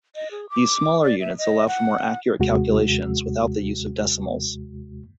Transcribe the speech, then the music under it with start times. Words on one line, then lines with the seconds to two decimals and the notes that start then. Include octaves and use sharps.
These smaller units allow for more accurate calculations without the use of decimals.
0.15 D#5
0.31 G#4
0.50 D6
1.03 D5
1.21 E5
1.38 D#5
1.67 F#5
2.40 D#2 C3 G#3 F#4